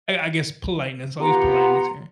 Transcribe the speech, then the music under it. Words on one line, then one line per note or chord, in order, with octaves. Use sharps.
I I guess, politeness- I'll use politeness here-
B3 F4 G4 F#5 A#5 C6